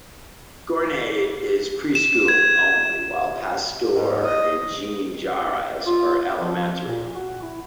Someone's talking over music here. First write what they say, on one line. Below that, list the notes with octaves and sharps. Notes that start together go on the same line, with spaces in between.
Gournay is preschool only, while Pasteur and Jean Jaures are elementary only.
E7
G#6
G#2
D#5
F4
F3
A#2
F#4
E4